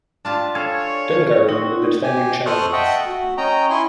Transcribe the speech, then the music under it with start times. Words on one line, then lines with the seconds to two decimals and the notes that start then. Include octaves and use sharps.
Dungarvan were the defending champions.
0.25 D4 F4 G4 A5
0.55 D4 A4 C#5 F5 G#5
1.49 C4 D#4 F#4
2.03 G4 G#5
2.46 A4 C5 C#6 D#6 F6 F#6
2.73 D#5 E5 F#5 G5 A5
3.06 F#4
3.37 C#4 D#5 G5 A#5
3.70 E4 G#5 C6 C#6